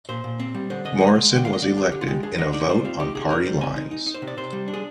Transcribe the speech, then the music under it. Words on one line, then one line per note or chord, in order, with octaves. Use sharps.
Morrison was elected in a vote on party lines.
A#2 C5
A#2
C4
G3
D3 C5
D3 D#5
D3 D#5
G#3
D3
G5
D3 F5
D#5
D3 D5
D4 G4
D3 G4
F4
G#3 G4
D4 G#4
D3 D#5
D#4 D5
G3 C5
C4 F4
D#4 G4
C3 G#4
D#4 A#4
G3 C5
C4 G#5
D#4
D#4
D#4
C5
C3
D5
C3 C5
G3
D4
G#4